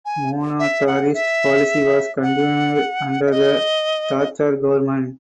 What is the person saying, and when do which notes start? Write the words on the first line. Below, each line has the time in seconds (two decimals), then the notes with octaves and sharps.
Monetarist policy was continued under the Thatcher government.
0.05 G#5
0.59 E5
0.87 F#5
1.14 E5
2.22 F#5
3.27 E5
3.31 D#5